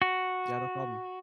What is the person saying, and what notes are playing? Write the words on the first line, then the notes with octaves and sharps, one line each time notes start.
Yeah, no problem.
F#4